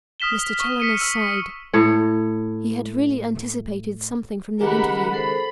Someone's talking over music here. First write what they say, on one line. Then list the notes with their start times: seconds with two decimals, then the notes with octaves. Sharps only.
Mr. Challoner sighed; he had really anticipated something from the interview.
0.20 D#6 F6 B6 E7 G7
0.60 C#6
0.80 B6 C#7 D#7
1.01 E6
1.74 A2 C#5
4.61 C#2 D#3 G4 G#4 A#4 F#5 B5
5.13 A4 A#4 C5 B5